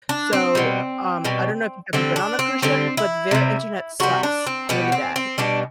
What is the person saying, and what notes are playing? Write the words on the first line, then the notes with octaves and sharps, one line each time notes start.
So, um, I don't know if you've ever been on a cruise ship, but their internet sucks, really bad.
D4
C4
B2 G3
B2 G3
D3 G3 C4
D4
C4
D3 G3 C4
E4
C3 G3
C3 G3 F#4
D4
C4
B2 G3 B3
C4
C4
B2 G3 D4